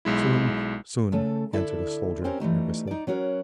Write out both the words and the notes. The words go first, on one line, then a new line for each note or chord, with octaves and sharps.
"Soon, soon," answered a soldier, nervously.
B1 G#3 E4
C#3 A3 A4
D3 E4 A4 D5 E5
C4 C#4 G4 A#4 C5
E3 G3 A3 D#4
D#4 D5
F#3 C#4 F#4 A#4